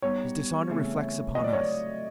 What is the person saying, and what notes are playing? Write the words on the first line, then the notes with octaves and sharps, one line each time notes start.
"His dishonor reflects upon us."
G3 B3 D#4 C#5
C#3 E3 A3 C4
A2 F#3 A3 D#5
D5
C#5
D5